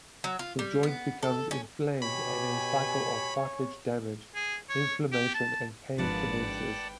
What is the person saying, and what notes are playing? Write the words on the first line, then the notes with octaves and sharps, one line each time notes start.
The joint becomes inflamed and a cycle of cartilage damage, inflammation and pain commences.
F#3
F4
G3
B3
A4
C#4
B2 G4 C#5 G#5 B5
G#4
C#5
G4
A5
G#1 F3 A#3 B3 D4 D5 F#5 A5
B4 G5